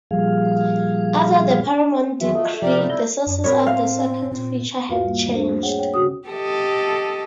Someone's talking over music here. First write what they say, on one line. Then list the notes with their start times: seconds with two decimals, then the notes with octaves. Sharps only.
After the Paramount Decree the sources of the second feature had changed.
0.11 A#2 F3 G3 G#4 F5
2.20 F#2 D#3 E3 F#3 G#3 E5
2.35 A3 F4 A4 D#5
2.62 C3 F3 G4 A#4 D5
2.77 A3 B3 D#4 D5
2.90 G3 E4 E5 A#5 G6
3.26 F#2
3.44 A2 C4 A#4 B4 C#5
3.63 A4 F5
4.31 A#2 C4
4.88 E2 G#2 F4 F#4 B4 F5
5.04 G3 A#3
5.31 A3 C4 D4 A4 C5
5.63 G#4 C#5 F#5 G5
5.78 C#5 G5
5.94 C#3 C#4 F#4 D#6
6.28 G4 A4 D#5